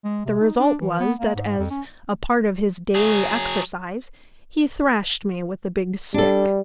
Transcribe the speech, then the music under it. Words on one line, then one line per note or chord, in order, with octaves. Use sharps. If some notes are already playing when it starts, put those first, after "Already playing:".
The result was that, as a part of his daily exercise, he thrashed me with a big stick.
G#3
C3
D#4
D4
E3
B3
A#3
G#2
F2
C#4
F#3 G#4
G3 D4 A4